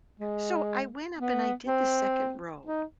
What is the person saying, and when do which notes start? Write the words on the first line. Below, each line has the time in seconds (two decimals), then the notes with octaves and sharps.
so I went up and I did the second row,
0.20 G#3
1.18 B3
1.67 C4
2.66 D#4